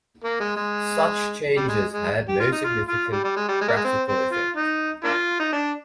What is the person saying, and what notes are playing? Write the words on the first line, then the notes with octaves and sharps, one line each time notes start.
Such changes had no significant practical effect.
A#3
G#3
G#3
G3
G#3
G#3
G4
F4
D#4
F4
F4
G3
G3
G#3
G3
G#3
A#3
G#3
C4
C4
F4
D#4
A#3 D4 F4
D#4
D4